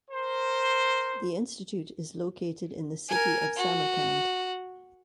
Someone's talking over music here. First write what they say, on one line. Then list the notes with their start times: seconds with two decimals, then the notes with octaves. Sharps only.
The Institute is located in the city of Samarkand.
0.11 A#4 C5
3.09 A#4 G#5
3.56 F#4